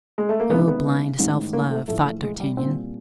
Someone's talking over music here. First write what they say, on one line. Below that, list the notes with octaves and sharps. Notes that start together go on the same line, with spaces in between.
"Oh, blind self-love!" thought D'Artagnan.
G#3
A3
A#3
C#2 C3 D#3 B3
B3
A1 G#2 D#3
A#3
A3
A#1 A2 E3 A3
A3
G#3
G3
C2 A#2 C4